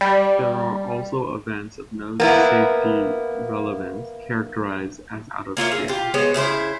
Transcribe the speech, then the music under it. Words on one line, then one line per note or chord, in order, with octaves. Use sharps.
There are also events of no safety relevance, characterized as "out of scale".
G3
A#3 B3 E4
A#3 F4 C#5 E5
G#4
F4 G4
G#3 B3 C5 C#5
C#3 E4 G#4 C5